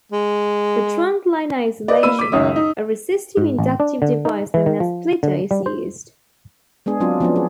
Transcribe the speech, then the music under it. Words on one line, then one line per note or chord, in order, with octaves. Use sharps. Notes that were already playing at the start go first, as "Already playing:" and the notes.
For trunk line isolation, a resistive inductive device known as splitter is used.
G#3
B4 D5 D#5
A#3 B5 E6 D#7
D6 B6
C#2 F#2 D#3 C#4 D#6
D#4
G#2
A1
D4
D3
D#4
E3
D#3
F3
D3
G3
C5
G#3 B3 D4 G#4
F#3 C4 D4 F4
F3 B3 C#4 D4
G#4